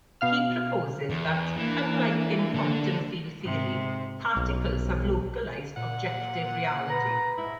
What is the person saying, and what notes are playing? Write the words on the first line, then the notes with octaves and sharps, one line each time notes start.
He proposes that, unlike in quantum field theory, particles have localized, objective reality.
B2 F5 F6
E2
E3 A#3 D4
D3 A4
G#2 C3
B1
A#2 F#5
B4 A#5
G#2 E4